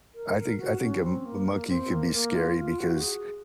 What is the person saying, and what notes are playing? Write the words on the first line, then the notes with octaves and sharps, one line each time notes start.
I think I think a m monkey could be scary, because
A#4
A#4
F#4
C#4
C4
A#3
A#3
C4
A#3
A#3
F4
F4
F#4
G#4